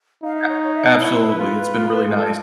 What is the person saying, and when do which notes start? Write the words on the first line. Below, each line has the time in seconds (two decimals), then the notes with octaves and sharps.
A absolutely, it's been really nice.
0.23 D#4 F5
0.36 E5
0.49 C#5
0.62 C#5
0.75 E5
0.87 D#5
1.00 E4 C#5
1.12 C5
1.26 B4
1.38 F4
1.76 F4
2.07 G#4
2.15 A4